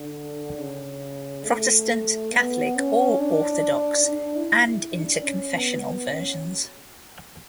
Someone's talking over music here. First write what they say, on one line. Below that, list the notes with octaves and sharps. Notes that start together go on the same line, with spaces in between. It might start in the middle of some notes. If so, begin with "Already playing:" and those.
Protestant, Catholic or Orthodox, and inter-confessional versions.
Already playing: D3
C#3
A3
B3
C#4
D4
D4
E4
E4
D4
C#4
B3
B3
C#4